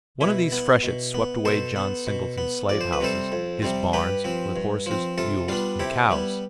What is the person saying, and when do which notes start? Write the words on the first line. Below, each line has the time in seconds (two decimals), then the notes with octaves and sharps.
One of these freshets swept away John Singleton's slave houses, his barns, with horses, mules and cows.
0.21 B2 E4
0.52 B3
0.83 B2
1.14 B3
1.45 B2 A4 C5
1.76 B3
2.07 B2
2.38 B3
2.69 F2 D5
2.81 C5
2.93 B4
3.00 C3 G3 C4 A4 C5
3.32 F2
3.62 C3 G3 C4
3.93 G2 G4 B4
4.24 F3 C4
4.56 G2
4.86 F3 C4
5.18 C3 F4 A4
5.48 G3 B3 D4 F4
5.79 C3 E4 G4
6.11 G3 B3